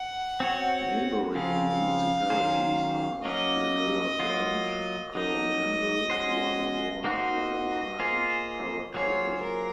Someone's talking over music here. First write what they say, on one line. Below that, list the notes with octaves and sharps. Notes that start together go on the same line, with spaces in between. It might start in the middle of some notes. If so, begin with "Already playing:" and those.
Neighboring municipalities are: Lagoa Grande, Coromandel, Guarda-Mor, Lagamar and Paracatu.
Already playing: F#5
C4 F#4 C#5
C#3 F3 C4 F5
D#3 F#3 C#4 G#4 C5
F#3 A#3 C#4 D#5
F#3 A#3 F4
F#3 A#3 D#4 D#5
G#3 C#4 F#4 C5
A#3 D#4 F#4 C5 D#5
A#3 F4 G#4 C5
F#3 A#3 F4 G#4 C5 C#5
A#4